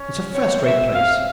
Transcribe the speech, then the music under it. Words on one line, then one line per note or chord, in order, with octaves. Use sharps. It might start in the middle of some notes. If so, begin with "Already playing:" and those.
It's a first-rate place!'
Already playing: C#4
C4 C#5
E5
C4
F5